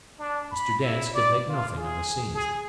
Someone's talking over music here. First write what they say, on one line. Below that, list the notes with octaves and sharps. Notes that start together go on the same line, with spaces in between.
Mr. Dance could make nothing of the scene.
D4
B5
E4
D5
F4
G#4
G#4